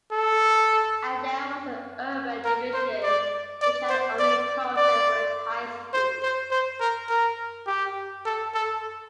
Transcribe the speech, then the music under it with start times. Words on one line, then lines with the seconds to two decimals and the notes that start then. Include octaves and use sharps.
And there was the urban division which had only Carlton for its high school.
0.12 A4
2.45 A#4
2.73 C5
3.03 D5
3.61 D5
3.89 C5
4.19 D5
4.77 D5
5.93 C5
6.22 C5
6.51 C5
6.80 A#4
7.09 A#4
7.67 G4
8.25 A4
8.54 A4